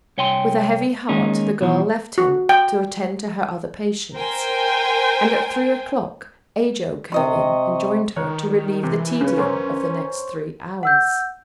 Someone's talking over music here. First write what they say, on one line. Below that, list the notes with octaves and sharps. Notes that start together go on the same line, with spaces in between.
With a heavy heart the girl left him to attend to her other patients and at three o'clock Ajo came in and joined her, to relieve the tedium of the next three hours.
C2 C#5 G5 G#5 C6
D#3 G#3 A#3 C#4 D#4
B2 E3 F3
F#4
G5
A#4 C5 G5 G#5
C3 D#5 C#6
D#3 A#4 C#5 F#6
C3 E3
C#3 C#4 B4
F#2 A#4 C5 C#5
F#5 E6 G6